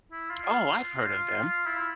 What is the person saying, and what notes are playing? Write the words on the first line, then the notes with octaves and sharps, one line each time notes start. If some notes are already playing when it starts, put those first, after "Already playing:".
Oh, I've heard of them.
E4
F4
E4